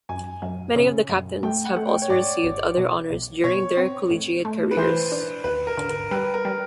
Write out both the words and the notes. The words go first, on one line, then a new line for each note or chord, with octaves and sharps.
Many of the captains have also received other honors during their collegiate careers.
F#2 G#5
F#2
C#3
F#2
A3 G5
F#5
A3
G5
C#5
G#2 D5
G#1
B2
B1
B2 C#5
C4
A2
A3
B4
E3 C5
D4
D#2 B4
A#4
D3
A#4
G3 B4
A#4
G3